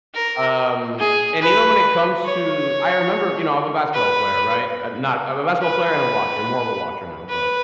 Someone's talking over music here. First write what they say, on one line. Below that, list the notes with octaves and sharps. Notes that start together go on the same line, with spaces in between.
um, and even when it comes to I remember you know, I'm a basketball player, right, I'm not I'm a basketball player and a watcher, more of a watcher now, but
A#4
G#4
B4
C#5
B4
B4
B4